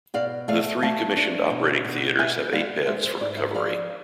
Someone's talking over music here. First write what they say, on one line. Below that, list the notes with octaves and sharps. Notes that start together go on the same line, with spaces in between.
The three commissioned operating theatres have eight beds for recovery.
B2 D5 F5
A3 D5 F5
A3 F5 A5
D4
B2
B2
B3 E5 G#5
G#3 D5 F5
G#3 C5 E5
C5 E5
G#2 B4 D5
C5 E5
F3 D5 F5